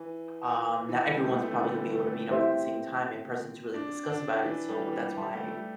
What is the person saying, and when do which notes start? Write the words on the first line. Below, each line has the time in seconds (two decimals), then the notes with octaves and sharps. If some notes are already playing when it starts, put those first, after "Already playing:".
Um, not everyone's probably gonna be able to meet up at the same time in person to really discuss about it, so that's why
Already playing: E3
0.89 E3
1.07 G3
1.18 C4
1.24 A3
1.42 A3
1.51 D3
1.60 E3
1.78 G3
1.96 A3
2.14 A3
2.31 C4 E4 G4 C5 E5
3.74 D4
4.10 D4
4.45 E3
4.69 G3
4.93 G3
5.16 G3 C5 E5 A5 C6
5.35 A3
5.48 A3
5.53 G3